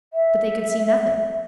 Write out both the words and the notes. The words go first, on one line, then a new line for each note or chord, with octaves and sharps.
But they could see nothing.
E5